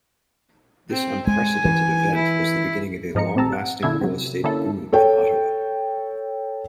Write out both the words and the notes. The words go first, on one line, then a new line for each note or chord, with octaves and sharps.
This unprecedented event was the beginning of a long-lasting real estate boom in Ottawa.
C4
G#3 G#5
E3
E4
G#2 F3 D#5 A#5 C#7
A#1 C4 G4 A5 A#5 E6
F#5
A#2 D3 C#4 E4 E6 G#6
C3 F#3
D3 A#3 C#4 E4 A4
A4 C#5 G5